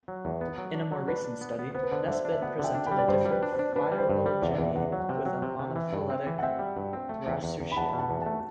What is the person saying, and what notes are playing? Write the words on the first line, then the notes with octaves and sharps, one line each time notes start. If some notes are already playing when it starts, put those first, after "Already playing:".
In a more recent study, Nesbitt presented a different phylogeny with a monophyletic Rauisuchia.
F#3
E2
B3
F#3
D4
F#3
D4 B4
D4
B3
B3
B3 C5
B4
D3 C5
D3 C5 E5
D4
E5
B3 D5 F#5
D3 E5 G5
D4
G5 B5
G3
D5
G2 C5
G3
B4
D4
C5
D4
D4 B4
G3
C5
G2
G3
E2 D5
E5
E2 B4 D5
E2 D5 F#5
F#3
F#5
C3 E5 G5
F#3
C3
C3
E3
G2
C4
E3
F#5
C4 E5 G5
G3
G2
C4
A3
E2
E2
E2
B5
E2 F#5 A5
B2 B5
F#5 A5
E2
A3 F#5 A5